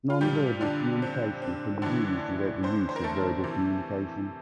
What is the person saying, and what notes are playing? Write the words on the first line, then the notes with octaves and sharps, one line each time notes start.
Nonverbal communication can be used without the use of verbal communication.
F4
A#2 F3 G3 G4
D3 D4
C4
C4
A2 D3 E3 D4
C4 C5
C5
A#4
A3 A4
C3 E3